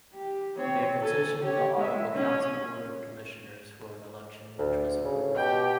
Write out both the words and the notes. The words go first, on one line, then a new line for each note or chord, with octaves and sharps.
They petitioned the Ottawa County Board of Commissioners for an election, which was approved.
G4
C4 C#5
A4 G#5
G4 C#5
G#3 E5
C#4
D2
C#3
B2 G4 G5